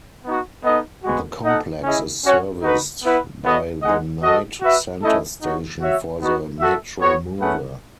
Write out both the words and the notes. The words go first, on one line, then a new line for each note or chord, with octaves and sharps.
The complex is serviced by the Knight Center station for the Metromover.
B3 D#4 F#4
B3 D#4 A4 D#5
G#3 B3 F#4
D#4 A4 D#5 F#5
C#4 E4 G#4 D#5
C#4 F#4 C#5 F#5
D#4 F#4 B4
B3 E4 B4 F#5
B3 F#4 A4 D#5
G#3 D#4 G#4 D#5 F#5
F#4 A4 D#5
F#4 B4 E5
A3 C#4 E4 A4 D#5
D#4 F#4 C#5
F#4 C#5 E5
B3 D#4 F#4
F#4 A4 E5
B3 F#4 C#5
A3 C#4 G#4 B4 F#5